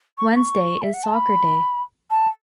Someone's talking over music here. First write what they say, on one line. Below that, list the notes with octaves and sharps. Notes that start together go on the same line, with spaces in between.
Wednesday is soccer day.
C#6
C#6
E5
F#5
A5
B5
A5